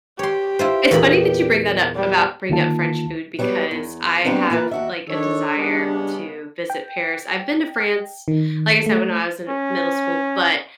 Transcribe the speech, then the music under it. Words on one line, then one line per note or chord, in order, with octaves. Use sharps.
It's funny that you bring that up about bringing up French food, because I have, like, a desire to visit Paris, I've been to France, like I said, when I was in middle school, but,
G4 C#5 C6
E4 F4 C5
E2 A#2 B5
G3
D2 D#3 A#3 F4 A5
F#3 G3 B3 F4 G4
E2
F#3 G3 B3 C4 D4
E3 A#3 F4 B4
D#2 F#4 E5
D#3 D4 A4 C#5
C#3 G3 G#3 B3
G5
D#3
A3
C#4